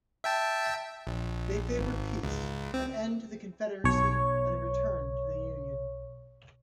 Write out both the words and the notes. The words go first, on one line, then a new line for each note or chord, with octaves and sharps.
They favored peace, an end to the Confederacy, and a return to the Union.
E5 G5 A5
A#1
G#1
C#2
C4
B1 C#5